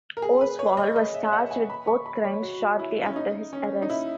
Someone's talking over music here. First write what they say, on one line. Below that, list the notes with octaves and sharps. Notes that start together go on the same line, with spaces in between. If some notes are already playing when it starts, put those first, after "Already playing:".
Oswald was charged with both crimes shortly after his arrest.
A#4
G#4
B4
C#5
D#5
D#5
E5
E5
F#5
G#5
B5
C#6
B5
C#5
F#4
E4
C#4
D#4
C#4
D#4
E4